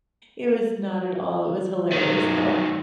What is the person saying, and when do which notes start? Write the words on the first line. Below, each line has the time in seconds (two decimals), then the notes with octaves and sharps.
It was not at all. It was hilarious, though.
1.93 D#3 F#3